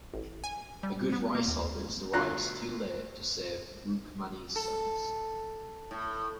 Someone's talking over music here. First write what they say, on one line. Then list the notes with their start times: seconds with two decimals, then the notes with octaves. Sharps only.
A good rice harvest arrives too late to save Rukmani's sons.
0.14 A1
0.44 G#5
0.83 G3
1.13 B3
1.35 A#3
1.48 D#2
2.13 D2 G2 B2 F4 A#5 F#6
4.56 A4
5.91 A2